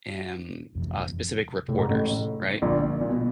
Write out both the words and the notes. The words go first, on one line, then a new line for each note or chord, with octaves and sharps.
em, uh, specific reporters, right?
F2 C3 E3
A2 C3 F3 A#3
G#2
A1 A2
A#1 A#2 D3 G3 B3 D4
A#2
B2